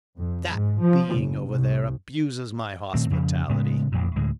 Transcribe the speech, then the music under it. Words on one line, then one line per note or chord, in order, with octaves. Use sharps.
That being over there abuses my hospitality.
F2
G#2
F3
F#1
C2
A#2 D#3 A3 C4
F2 C#3 F3
A2 C#3 G#3 B3
A1 F2 A#2
D2 A2 D3 G#3